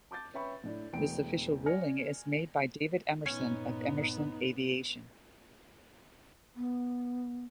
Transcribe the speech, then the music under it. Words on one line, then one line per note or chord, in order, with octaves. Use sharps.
This official ruling is made by David Emerson of Emerson Aviation.
A5 D6 G6 A6
C#4 B4 E5 G5 B5 C#6
A2 D4 E4
E1 E2 E3 A3 G5 D7
D5 G#5 F6 A#6 C#7
A#1 G2 B3 C#4 D#4 G#5
B3